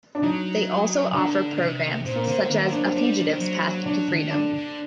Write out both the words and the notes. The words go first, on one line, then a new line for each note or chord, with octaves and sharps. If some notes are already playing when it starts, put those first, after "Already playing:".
They also offer programs such as "A Fugitive's Path to Freedom".
D4
F#3 D#4
D3 D4
D3
C3
A#2 C4
A#3
D3 C4
D#3 A#3
F#3 D4
C4
G3 D4
D#3
F#3
F#3 D4
D#3
D3 D4
D3